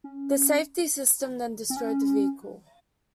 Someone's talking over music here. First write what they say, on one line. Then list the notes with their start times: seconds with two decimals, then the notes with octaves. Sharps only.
The safety system then destroyed the vehicle.
0.04 C#4
1.70 C4
1.77 C#4